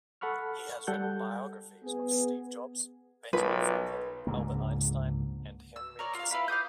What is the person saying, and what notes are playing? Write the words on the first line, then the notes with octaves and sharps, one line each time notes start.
He has written biographies of Steve Jobs, Benjamin Franklin, Albert Einstein, and Henry Kissinger.
A4 F#5 B5 C#6 F6
G3 A4 F#5 G6
B3 G#4
B1 B4
C#2 G#2 D3 A#3
E6
A#4 C#5 D5
F4 F5
E4 B4 F5 B5
F5 D6 D#6 G6